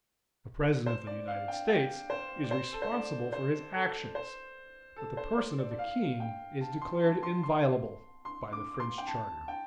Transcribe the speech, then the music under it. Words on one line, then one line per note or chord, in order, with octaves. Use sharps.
The President of the United States is responsible for his actions; but the person of the King is declared inviolable by the French Charter.
C5
D5
F5
G5
G5
C5
D5
C5
A4
C5
D5
C5
A4
C5
A4
C5
C5
D5
D5
F5
G5
A5
C6
A5
C6
C6
C6
D6
D6
C6
G5
A5
G5